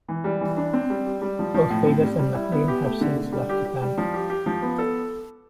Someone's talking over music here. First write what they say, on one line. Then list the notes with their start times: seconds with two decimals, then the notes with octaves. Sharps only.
Both Vegas and MacLean have since left the band.
0.08 E3
0.24 G3
0.41 E3
0.57 D4
0.73 C4
0.90 G3
1.05 G4
1.22 G3
1.39 F3
1.54 F3
1.70 A2
1.87 C4
2.03 G3
2.19 G3
2.35 E4
2.52 B3
2.68 G4
2.85 A3
3.01 D3
3.16 D3
3.32 G3
3.49 G4
3.65 G4
3.82 G3
3.98 F3
4.14 G4
4.30 G4
4.46 F3
4.62 B3
4.79 A4